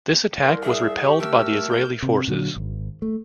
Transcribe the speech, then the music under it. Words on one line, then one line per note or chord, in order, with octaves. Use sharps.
This attack was repelled by the Israeli forces.
C2 A#4 C6
G#4 E5
G4 C#6
A3 A#4 E6
G6
C3
A#2 D3 F#3
G#1
A3